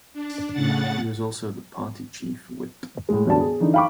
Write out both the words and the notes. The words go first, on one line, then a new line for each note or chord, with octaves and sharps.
He was also the party Chief Whip.
D4
A2 C#3 F#5 A6
A2 G#3
E1 G2 D3 D5 A5
G#4
D3 E3 D#4
F5 G5 B5 C#6 D6